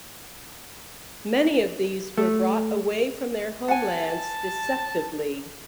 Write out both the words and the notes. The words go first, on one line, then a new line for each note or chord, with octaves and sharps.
Many of these were brought away from their homelands deceptively.
A3
F#5 G#5 A5